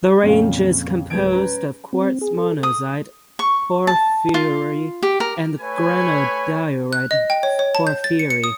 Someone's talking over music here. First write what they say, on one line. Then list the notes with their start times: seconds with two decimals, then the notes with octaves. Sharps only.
The range is composed of quartz monzonite porphyry and granodiorite porphyry.
0.23 F2 A#2 C#3 C#4 F5
1.10 D1 G#3 B4 G6 G#6 D7
1.33 C#4 B4 A#5
1.93 C4
2.21 G#4
2.37 A4
2.63 D#6
3.39 C#6
3.87 A5
4.34 F4
5.03 G4
5.20 A#4
5.60 A3 B4 C#5 G#5 B5
6.93 F#6
7.11 D#5
7.30 G5
7.43 C#5
7.59 C#5
7.75 A5
7.87 G6
8.04 A6
8.19 C#7
8.30 C#7
8.44 D#6